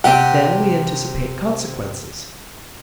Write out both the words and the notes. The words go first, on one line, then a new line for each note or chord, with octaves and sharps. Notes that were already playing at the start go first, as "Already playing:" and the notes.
Then we anticipate consequences.
C3 G4 F#5